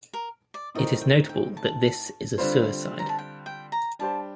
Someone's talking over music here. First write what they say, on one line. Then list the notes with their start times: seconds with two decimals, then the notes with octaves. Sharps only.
It is notable that this is a suicide.
0.13 A#4
0.54 D5
0.75 A2 A3 C4 D#4 A#4 D#5
1.01 G5
1.29 G5
1.57 A5
2.38 D3 G3 C4 F4 C5
2.99 A#5
3.09 A5
3.19 G5
3.46 G5
3.72 A#5
3.99 G3 D4 G4 C5 A5